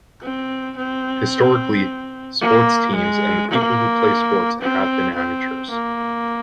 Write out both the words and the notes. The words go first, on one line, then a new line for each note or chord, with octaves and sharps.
Historically, sports teams and the people who play sports have been amateurs.
C4
C4
A#3
G#3
A#3
C4
C4
A#3